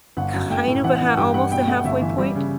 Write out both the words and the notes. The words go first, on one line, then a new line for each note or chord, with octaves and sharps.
kind of a ha almost a halfway point.
G1 F#5
F#2
A3 G5
A2
E3 F#5
F#5
E3
F#5
G2 G5
G2 F#5
B2 G5
A3 F#5
G1 E5
E3
G3
C#3